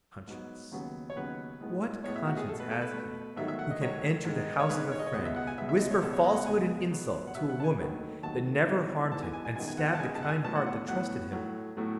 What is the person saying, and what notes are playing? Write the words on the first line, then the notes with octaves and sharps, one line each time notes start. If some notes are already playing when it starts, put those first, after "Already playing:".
Conscience! what conscience has he, who can enter the house of a friend, whisper falsehood and insult to a woman that never harmed him, and stab the kind heart that trusted him?
G#2 F#3 B3
D#2 C#3 F#3 B3
C#5
D#2 C#3 F#3 B3 B4
A2 G#3 B3
A2 G#3 B3 C#5
E5
F#4
G#4
B2 A3 A4
B4
A4
B4
B2 A3
G#2 D#3 F#3 A3 E5
E5
F#5
D#5
G#2 D#3 F#3 A3 C#5
G#2 D#3 G#3
C#5
G#2 D#3 G#3 B4
C#5
D#5
C#5
C#2 B2 G#3 B3 D#5
E5
F#5
G#5
C#2 B2 G#3 B3 E5
E5
D#5
C#5
C#2 B2 G#3 B3 A4
C#5
D#5
F#5
C#2 B2 G#3 B3 G#5
B2 F#3 B3
F#5
B2 F#3 B3 E5
F#5
A5
G#5
D#2 D#3 F#3 A3
D#2 D#3 F#3 A3 A5
G#2 E3 G#3 B3
G#2 E3 G#3 B3 A5
G#5
G#5
G#5
F#2 D#3 G#3 B3 G#5
G#5
F#5
F#5
A5
F#2 D#3 G#3 B3 G#5
A5
F#5
G#5
A2 F#3 B3 A5
F#5
F#5
A2 F#3 B3 F#5
A2 F#3 A3
A2 F#3 A3